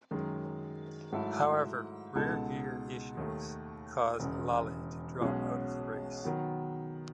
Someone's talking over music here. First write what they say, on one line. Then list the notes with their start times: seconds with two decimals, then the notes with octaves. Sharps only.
However rear gear issues caused Lally to drop out of the race.
0.11 F#2 D#3 G#3
1.12 G#2 F#3 A3 E4 A4
2.15 C#2 B2 G#3 D#4 A4
3.17 D#2 D#3 A3
4.20 E1 E2 C#3
5.21 B1 B2 G#3 C#4 G#4
6.24 D#3 F#3 B3